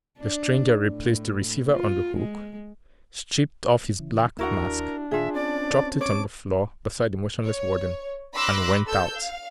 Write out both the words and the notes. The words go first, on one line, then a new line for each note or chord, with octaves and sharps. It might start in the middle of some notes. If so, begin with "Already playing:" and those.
The stranger replaced the receiver on the hook, stripped off his black mask, dropped it on the floor beside the motionless warden, and went out.
D4
A2
F4
G#3
C#3 E3
D#2 D4 E4 F#4 A#4 F#5
A#2 D#3 F4 G#4 E5
C4 C#4 D5 A5
C#5 D6
C#5
B5 C6 D6 E6 F#6 A#6
A4 E6 G6
F5